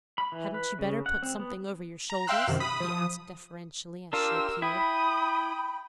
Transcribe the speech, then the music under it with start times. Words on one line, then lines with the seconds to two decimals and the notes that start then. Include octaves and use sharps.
"Hadn't you better put something over your shoulders?" he asked deferentially as she appeared.
0.18 B5
0.32 E3
0.54 B4
0.79 C#3
1.06 F#5
1.23 C4
1.39 B3
2.10 A#5
2.27 E5 F5 G5 C6 E6 F#6
2.48 F#2 C3 D#3
2.60 B5 D#6
2.80 F3 D#6
4.13 D4 F4 G4 A#4 E6
4.62 E4 G5 B5 D#6